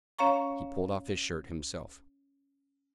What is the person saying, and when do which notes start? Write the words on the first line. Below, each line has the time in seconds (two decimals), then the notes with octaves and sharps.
He pulled off his shirt, himself.
0.19 C#4 C#5 F5 A#5 C#6